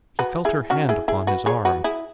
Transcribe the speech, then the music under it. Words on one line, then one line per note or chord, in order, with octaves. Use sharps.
He felt her hand upon his arm.
F#4 B4
E4 G#4
C#4 F#4
E4 G#4
E4 G#4
F#4 B4
G#4 C#5
F#4 B4
E4 G#4